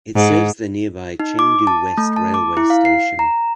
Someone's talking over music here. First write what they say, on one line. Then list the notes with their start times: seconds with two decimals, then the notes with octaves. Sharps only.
It serves the nearby Chengdu West railway station.
0.15 G#2
1.20 D#4
1.39 D6
1.67 A5
1.97 A3
2.16 A5
2.34 D6
2.57 E4
2.70 F5
2.85 C7
3.19 A#5